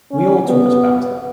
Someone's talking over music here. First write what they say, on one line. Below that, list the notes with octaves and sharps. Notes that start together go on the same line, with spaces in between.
We all talked about it.
C#4
B3